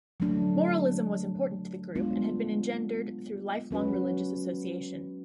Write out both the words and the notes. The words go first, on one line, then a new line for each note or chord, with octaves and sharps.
Moralism was important to the group, and had been engendered through lifelong religious association.
F#3 A3 D4
G#3 B3 D4 F4
F#3 C#4 F#4 B4